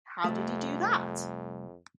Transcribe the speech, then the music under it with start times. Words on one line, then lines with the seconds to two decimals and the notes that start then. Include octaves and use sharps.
How did he do that?
0.24 C2 F2 A3